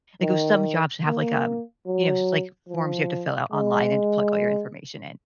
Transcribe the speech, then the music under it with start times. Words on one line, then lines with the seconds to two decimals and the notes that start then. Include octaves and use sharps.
like with some jobs have like, um, you know, just like forms you have to fill out online, and plug all your information in,
0.21 D#3
1.05 A#3
1.86 F#3
2.69 F3
3.52 G#3